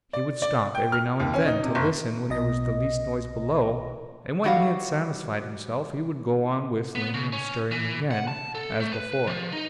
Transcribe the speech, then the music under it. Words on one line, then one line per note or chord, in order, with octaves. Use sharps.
He would stop every now and then to listen when there was the least noise below: and when he had satisfied himself, he would go on whistling and stirring again, as before.
D5
D5
G5
F6
D#2
C#4
D#4
C3
F#1
B1 B2 D#5 A#6
E3 G3 F#4 C#5 F5
B3
C#3
C#4
E3
F#5
A5
A4
A3
B4
F3
D#4